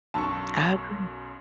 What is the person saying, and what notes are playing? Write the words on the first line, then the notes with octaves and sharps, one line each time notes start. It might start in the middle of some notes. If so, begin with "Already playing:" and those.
I agree.
B1 F#2 A5 C#6 E6